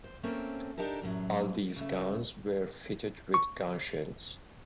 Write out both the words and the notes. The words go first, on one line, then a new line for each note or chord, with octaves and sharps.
All these guns were fitted with gun shields.
C5
A3 A#3 C4 C#4
D4 D#4 G4 A4 A#4
F#2 A2 D#3 F#3
C#3 A3
C#6